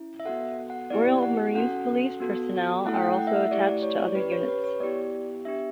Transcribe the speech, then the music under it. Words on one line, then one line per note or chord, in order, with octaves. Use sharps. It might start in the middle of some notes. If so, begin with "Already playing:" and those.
Royal Marines Police personnel are also attached to other units.
Already playing: C#4 E4
E5
B3 F#4 A4 F#5
F#5
B3 E4 G4 D5
F#5
C#4 F#4 A4 F#5
B3 F#4 A4
A3 E4 A4 F#5
G5
F#5
F#5
E5
F#5
A3 E4 G4 D5
D5
C#5
D5
C#4 G4 B4
C#5
B4
C#5
B3 E4 G4 D5
B3 D4 G4 E5